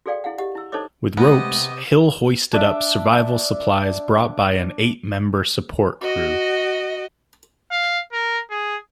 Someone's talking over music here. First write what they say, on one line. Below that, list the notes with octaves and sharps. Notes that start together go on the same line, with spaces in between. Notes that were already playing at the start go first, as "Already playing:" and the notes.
With ropes, Hill hoisted up survival supplies brought by an eight-member support crew.
F#4 G#4 A4 D5 F5 G5
E4 G#4 F5 F#5
G4 D#5 F#5
E4 E6
D#4 A4 C5 C#5 D#5 D6
C3 G#3 A3 B3 G4 D#5
D4 D5 E5
F#4 D#5
F5
A#4
G#4